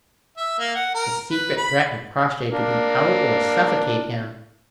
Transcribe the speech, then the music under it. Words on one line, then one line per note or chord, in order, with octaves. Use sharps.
The secret threatened Crossjay to be out or suffocate him.
E5
A#3
F#5
A#4
B4
B5
A#3 D4